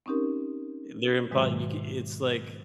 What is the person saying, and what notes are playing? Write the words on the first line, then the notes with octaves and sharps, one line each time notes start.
uh, they're in part you ca it's, like
C4 C#4 D#4 G4 A#4
G#2 B2 D#3 F#3 G#3 F#4